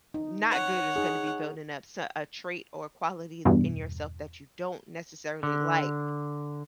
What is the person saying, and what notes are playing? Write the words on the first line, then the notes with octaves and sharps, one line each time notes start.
n not good is gonna be building up s a trait or a quality d in yourself that you don't necessarily like,
D#4
C#5 F#5
D#4 G#4
E2 G2 B2
D3